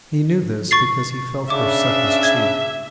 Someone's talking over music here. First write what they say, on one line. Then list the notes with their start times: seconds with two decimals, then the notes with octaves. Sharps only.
He knew this because he felt her suck his cheek.
0.71 C#6 A6 C7
1.50 C#3 D4 E5 D6
2.23 G#6